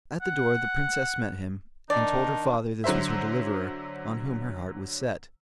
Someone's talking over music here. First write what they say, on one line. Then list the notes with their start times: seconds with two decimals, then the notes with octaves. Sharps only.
At the door the Princess met him, and told her father this was her deliverer, on whom her heart was set.
0.22 F#5
1.90 D#3 D4 D#4 D5
2.84 D3 F#3 C5 E5